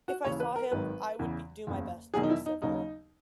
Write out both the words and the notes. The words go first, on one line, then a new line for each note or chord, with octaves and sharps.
If I saw him, I would be do my best to be civil,
F#4
D#2 C#3 E3 C#5
B4
A#4
G#1 G#2 D#3 F#3 B4
E2 C#3 E3
F#1 E2 C#3
E1 E2 D#3 F#3 G#4
D#4
E4
D#4
D#2 C#3 F#3 D#4